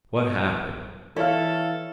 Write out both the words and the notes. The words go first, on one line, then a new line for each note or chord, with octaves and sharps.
"What happened?"
E3 E4 A4 C#5 F5 F6